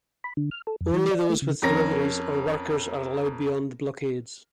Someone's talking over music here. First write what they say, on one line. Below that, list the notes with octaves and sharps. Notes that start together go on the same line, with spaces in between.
Only those with deliveries or workers are allowed beyond the blockades.
B5
D3
F6
A4
F2
E3
D5
A3
C#3
F2 C#4 A#4 A#6